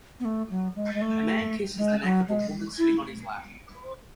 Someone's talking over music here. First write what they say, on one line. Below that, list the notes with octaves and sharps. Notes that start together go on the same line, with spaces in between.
A man kisses the neck of a woman sitting on his lap.
B3
A3
F#3
G#3
G#3
A3
G#3
F#3
G#3
E4